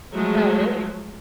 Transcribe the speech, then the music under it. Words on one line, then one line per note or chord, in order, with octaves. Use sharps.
Oh, really?
F3 F#3 G#3 A3